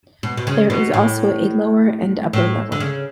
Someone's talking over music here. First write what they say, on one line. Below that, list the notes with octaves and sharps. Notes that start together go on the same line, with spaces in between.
There is also a lower and upper level.
B2
B2
C#3
B2
A2
A2
D3
C#3